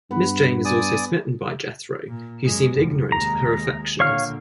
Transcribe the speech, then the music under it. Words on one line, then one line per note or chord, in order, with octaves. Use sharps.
Miss Jane is also smitten by Jethro, who seems ignorant of her affections.
G2 B3 B4
D5 G#5 D#6
A#2
F#2 G#3
F1 F#2
D#2 G#3 A#5
A#2 D3 C#5 F5 F6